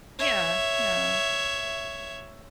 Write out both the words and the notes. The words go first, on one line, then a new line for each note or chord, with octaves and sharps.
Yeah, yeah.
C#5 E5